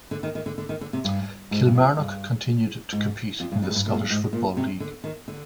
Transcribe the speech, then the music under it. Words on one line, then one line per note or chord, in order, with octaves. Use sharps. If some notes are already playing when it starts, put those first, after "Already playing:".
Kilmarnock continued to compete in the Scottish Football League.
D3
D#3
D#3
D3
D3
D#3
D3
C3
G2
G#2
G2
F2
G2
G#2
F2
G2
F2
G#2
G2
A#2
G#2
G2
G#2
A#2
C3
D3
D#3
D3